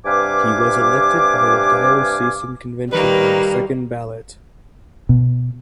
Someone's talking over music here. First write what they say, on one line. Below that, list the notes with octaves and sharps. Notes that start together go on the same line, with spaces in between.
He was elected by the diocesan convention on the second ballot.
G2 C3 B4 F5 G#5 D6
D#3 G3 A#3 B4
B2